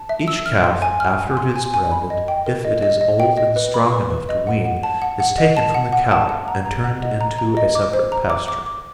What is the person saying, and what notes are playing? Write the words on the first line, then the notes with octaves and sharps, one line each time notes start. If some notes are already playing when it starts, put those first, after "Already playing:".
Each calf after it is branded, if it is old and strong enough to wean, is taken from the cow and turned into a separate pasture.
Already playing: A5
E5
E6
F6
C6
G#5
F6
G#5
C6
G#5
G#5
B5
D#5
G5
A#4
D#5
D#5
D#5
G5
D#5
B4
B5
B4
B4
D#5
F#5
F#5
A5
F#5
F#5
D#5
A5
F#5
F#5
A5
F#5
A#5
A#5
F#5
D#5
A#5
A#5
D#5
D6
C5
A#5
D6
D6
D6